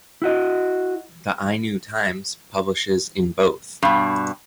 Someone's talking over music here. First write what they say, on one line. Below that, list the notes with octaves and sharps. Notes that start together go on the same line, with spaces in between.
The "Ainu Times" publishes in both.
E4 F#4 D#5
G2 B2